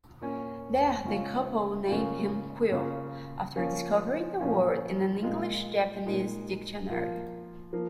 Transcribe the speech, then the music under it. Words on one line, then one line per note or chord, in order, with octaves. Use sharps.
There, the couple name him "Quill", after discovering the word in an English-Japanese dictionary.
A#2 A#3 C#4
C#3 G#3 C#4 F4
C#3 A#3 C#4 F4
C#3 A#3 F4
F3 A#3 C#4 F4
A#2 F3 C#4 F4
A#2 G#3 F4
A#2 G#3 D#4
F3 A#3 F4
F3 A#3